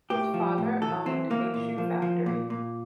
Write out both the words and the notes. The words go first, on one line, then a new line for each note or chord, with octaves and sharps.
His father owned a shoe factory.
A2 G4
F3
A2
E3 A4
E3 C4
E3 A#3
A#2
F3
F3
A#2
A#2